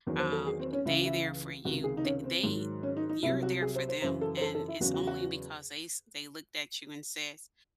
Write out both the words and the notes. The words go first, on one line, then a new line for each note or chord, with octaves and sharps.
Um, they there for you, the they you're there for them, and it's only because they s they looked at you and says,
E2 D#3 F#3
C5
A4
G#4
C4
C#4
C#2 C#3 E3 E4
E4
C#2 C3 D#3 F#4
G#4
D#4
C#4
C4
G#2 D#3 F#3
C#4
D#4
D#4
C2 C3 F#3 E4
F#4
G#4
C5
C5
F#2 C#3 E3 C5
A4
C5
A4
A4
E4
E2 C#3 F#3 F#4
F#4
F#4